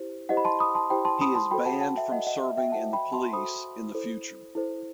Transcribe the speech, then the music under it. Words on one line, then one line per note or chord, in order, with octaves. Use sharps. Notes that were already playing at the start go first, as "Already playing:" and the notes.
He is banned from serving in the police in the future.
Already playing: E4 G4 C5
E4 G4 C5 D#5 F#5
B5
A5 C6
B5 D#6
A5 C6
E4 G4 C5 G5 B5
A5 C6
B5 D#6
A5 C6
F#4 A4 C5 G5 B5
F#5 A5
F#5 A5
E5 G5
F#4 A4 C5 D#5 F#5
D#5 F#5
E5
E5 G5
F#4 A4 C5 F#5 A5
G5 B5
A5 C6
F#4 A4 C5 B5 D#6
E4 A4 C5
E4 A4 C5